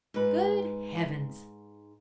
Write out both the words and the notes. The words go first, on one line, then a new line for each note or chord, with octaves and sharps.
"Good Heavens!"
G#2 B4